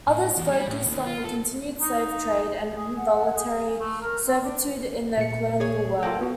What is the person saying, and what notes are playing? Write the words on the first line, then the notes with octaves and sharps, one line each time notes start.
Others focused on the continued slave trade and involuntary servitude in the colonial world.
A2
E2
G3
A2
D#2
F4
A4
D#4
G#4
F#5
G#4
A3
A#4
C4
D4
A#2 C#7
G#4 C#5
A#3 F4 A4 G5
B3 F#4